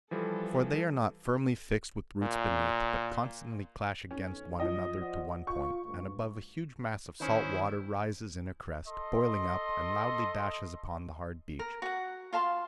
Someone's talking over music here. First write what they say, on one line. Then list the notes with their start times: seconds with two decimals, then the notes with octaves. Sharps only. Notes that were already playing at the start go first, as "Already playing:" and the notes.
For they are not firmly fixed with roots beneath, but constantly clash against one another to one point, and above a huge mass of salt water rises in a crest, boiling up, and loudly dashes upon the hard beach.
0.11 E3 F3 G3 A4
2.22 A#2
4.11 B1 C#4
4.60 F3 D#5
5.00 C5 D5 F#5
5.47 F4 C#6
5.84 D2 G2
7.20 D#3 C#4 E4 C5
8.87 A4 D#5 C6
11.59 A#4
11.82 F#4 F#5
12.33 F4 F5 A5 C6